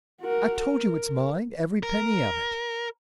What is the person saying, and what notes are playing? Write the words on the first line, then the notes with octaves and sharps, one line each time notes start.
"I've told you it's mine, every penny of it!"
F#4 A#4
A#4
A#4